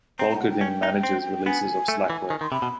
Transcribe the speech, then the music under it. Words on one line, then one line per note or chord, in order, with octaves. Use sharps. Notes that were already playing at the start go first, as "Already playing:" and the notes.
Volkerding manages releases of Slackware.
C4 A#5
A#5
F#5
G5
C#4
D#4
C4
B3 G#5
A3
E3
D#3
D#3 C6
C3 B5
B2